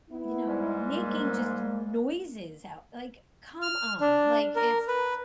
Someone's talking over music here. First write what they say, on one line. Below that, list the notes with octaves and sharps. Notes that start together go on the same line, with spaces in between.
m you know, making just noises out like, come on, like, it's
B3 E4
G#2 G3 G#3
A#3
F6
D4
A#4
B4